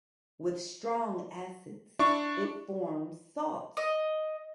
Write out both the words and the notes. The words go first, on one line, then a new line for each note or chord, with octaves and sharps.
With strong acids, it forms salts.
D4 E4 C#6
D#5